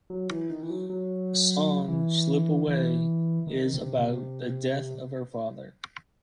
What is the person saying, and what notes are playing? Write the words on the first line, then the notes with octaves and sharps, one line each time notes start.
The song "Slip Away" is about the death of her father.
F#3
E3
D#3
E3
F#3
F#3
E3
E3
D#3
C3
C3